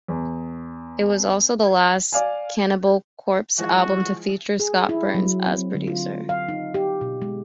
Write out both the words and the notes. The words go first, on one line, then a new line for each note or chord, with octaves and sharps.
It was also the last Cannibal Corpse album to feature Scott Burns as producer.
E2
D5 F5 G#5
E3 F3 G#3 F#4
G#4
E4
F#3
C4
D3
F4
F5
D#4
G4
B2
G#3